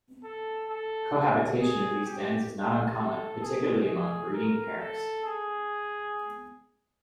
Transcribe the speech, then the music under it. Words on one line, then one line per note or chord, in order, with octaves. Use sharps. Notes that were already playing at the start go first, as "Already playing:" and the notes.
Cohabitation of these dens is not uncommon, particularly among breeding pairs.
A4
A4
G#4
G4
A4
G#4
G#4
A#4
A4
G#4